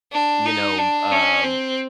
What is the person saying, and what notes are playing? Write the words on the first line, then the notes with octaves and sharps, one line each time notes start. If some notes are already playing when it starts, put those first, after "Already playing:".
you know, uh
D4
D#4
D4
C#4
C4